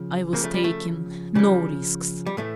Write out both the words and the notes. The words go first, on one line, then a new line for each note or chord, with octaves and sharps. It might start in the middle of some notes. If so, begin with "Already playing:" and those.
I was taking no risks.
Already playing: C#3 F3
C#3 F3 A#3
A3
G3
A3
C#3 F3 G3
G3
A2 E3 A3